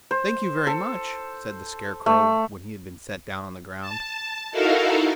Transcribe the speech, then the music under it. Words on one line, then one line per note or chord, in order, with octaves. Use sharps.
"Thank you very much," said the Scarecrow, when he had been set down on the ground.
C5
A4
A3
A5
D#4 E4 F#4 A4 A#4 F5